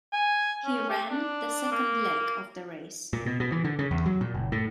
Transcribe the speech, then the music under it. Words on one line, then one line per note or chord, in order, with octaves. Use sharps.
He ran the second leg of the race.
G#5
C#4
G4
D4
A#3
A#2
B2
B2
E3
D3
C#3
E2
F#3
A#2
F#1
A2